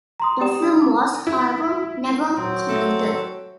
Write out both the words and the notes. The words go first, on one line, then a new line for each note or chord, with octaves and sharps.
The film was, however, never completed.
A#5 C6 D#6
G4 D5 G5 D#6 E7
D4 E4
D6
E4
D#2 A#2 F#3 C4
A3 F#4 A4 D#5
F#4 C#5